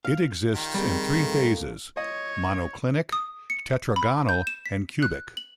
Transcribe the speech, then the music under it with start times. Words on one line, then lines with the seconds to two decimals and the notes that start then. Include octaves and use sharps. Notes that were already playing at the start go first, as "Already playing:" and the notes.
It exists in three phases: monoclinic, tetragonal and cubic.
0.05 F5
0.55 D#3 F4 G4
0.74 F2 G3 C4 G#4 A#4
1.14 A2 A#3
1.97 C#5 D#5
3.12 D#6
3.50 C#7
3.96 B5
4.29 G6
4.47 E7
4.66 B6
5.03 F#6
5.37 F#7